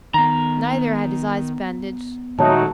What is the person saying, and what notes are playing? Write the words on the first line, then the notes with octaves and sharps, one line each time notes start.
Neither had his eyes bandaged.
D#3 B3 A#5
A#2 D#3 F#3 G#3 A3 D#4 A5